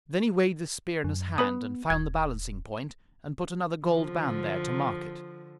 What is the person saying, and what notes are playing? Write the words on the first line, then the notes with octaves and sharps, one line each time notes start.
Then he weighed the spear in his hand and found the balancing point and put another gold band there to mark it.
F#2
B3 B4 B5 D#6
D#1 G#6
D3 F3